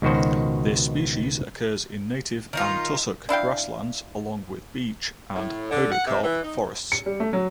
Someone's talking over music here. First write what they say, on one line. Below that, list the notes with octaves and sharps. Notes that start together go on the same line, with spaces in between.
This species occurs in native and tussock grasslands along with beech and podocarp forests.
C#2 B2 D#3 F#4 C5
D#3 D#4 F4
D4 E4 F5 G5
A2
D3
F#5
C3
E3
D#4
C#7
G3
A3
F#3